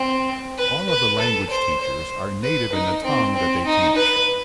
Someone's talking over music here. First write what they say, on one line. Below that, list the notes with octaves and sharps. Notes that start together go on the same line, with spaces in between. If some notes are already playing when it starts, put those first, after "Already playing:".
All of the language teachers are native in the tongue that they teach.
Already playing: C4
B4
B4
A4
C5
C5
B4
D#4
C4
C4
D#4
B4